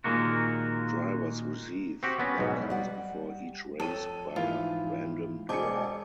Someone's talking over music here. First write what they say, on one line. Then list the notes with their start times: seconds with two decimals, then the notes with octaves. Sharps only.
Drivers receive their cars before each race via random draw.
0.04 A#2 D#3 G#3 A#3 F#4
2.03 C4 F#4 G4
2.20 B3 C#4
2.38 B1 G#2
2.70 G3 F#5
3.80 F2 A4 C#5 D#7
4.36 G#2 E3 E4 F4
5.49 E1 G#4 C5 D#5 G#5 A5 D6 C#7